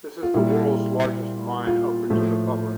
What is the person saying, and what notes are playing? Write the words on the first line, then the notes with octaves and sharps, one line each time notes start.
This is the world's largest mine open to the public.
F4
A#2 G3 E4
F4
A2 F3 A3